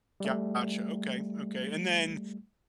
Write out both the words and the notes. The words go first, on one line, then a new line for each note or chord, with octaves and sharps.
Gotcha, okay, okay, and then
G3 A3